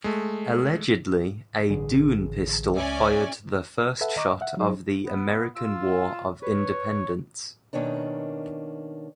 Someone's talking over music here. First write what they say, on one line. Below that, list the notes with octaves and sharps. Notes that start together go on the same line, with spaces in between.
Allegedly a Doune pistol fired the first shot of the American War of Independence.
G#3 A3
A1 G2 D3 G#4
C#2 C#4 D5 E5 G#5
A4 B4 E5 F#5 A5
D#5 A#5 C#6 D6
E5 F#5
F#3 D#4 G#4 C5
B3
F4 E6
B4 C#5
B2 D#3 A#3 C#4 D4